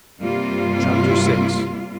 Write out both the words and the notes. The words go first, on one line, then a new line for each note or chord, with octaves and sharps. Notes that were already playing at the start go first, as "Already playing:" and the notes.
Chapter VI.
G2 C3 G3 A#3 F4